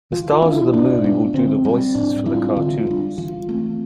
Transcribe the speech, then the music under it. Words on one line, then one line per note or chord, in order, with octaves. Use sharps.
The stars of the movie will do the voices for the cartoons.
E3 F4
F4
B3
D4
E4
B2 D4
B3 D4
D3 C4
G3 C4
A2 D4
E3 G3 C4 E4
F4
E4
D3 F4
G3 D4
E3 F4
A3 C4